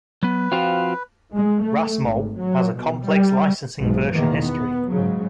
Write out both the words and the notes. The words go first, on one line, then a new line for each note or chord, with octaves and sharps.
RasMol has a complex licensing version history.
F#3 B3 B4
F3 C4 F4 F#4 F5
G#3
A3
G#1
F#3
B2
G3
B1 G#2
E2 B2 D#3 A#3
B3
G#2 C#3 F#3